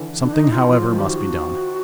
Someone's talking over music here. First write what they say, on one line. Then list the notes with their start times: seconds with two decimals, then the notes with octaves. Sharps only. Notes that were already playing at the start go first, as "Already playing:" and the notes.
Something, however, must be done.
Already playing: D3 E3
0.23 D4
0.33 D#4
0.52 F4
0.70 F3 F4
0.82 F#3
0.90 D#3 F3 F4
0.99 G4
1.09 F#4